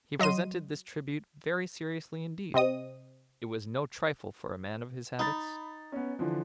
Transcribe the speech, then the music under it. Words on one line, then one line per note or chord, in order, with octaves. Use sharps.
He presented this tribute very seriously indeed; it was no trifle for a man of his habits.
F#3 D#5 C6 D#7
C3 C4 D#5 D#6
D#4 B5 A6
B3 C#4
D3 E3 F3